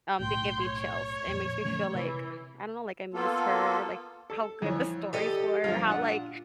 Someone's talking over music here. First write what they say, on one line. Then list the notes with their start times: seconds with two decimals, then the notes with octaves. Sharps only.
um, they give me chills. It makes me feel like I don't know like, I miss her, like, how good the stories were, how, like
0.19 B1 A2 G5 C6
0.61 C#5
1.28 F2 A#2
1.65 C#3 F3 A3
1.95 C3 E3
3.14 A#3 B3 F4 A4
4.30 A4
4.62 F2 E3 C#5
5.13 G4 A4 D#5
5.64 G2 F3 F4
5.87 A#2 D4 F#5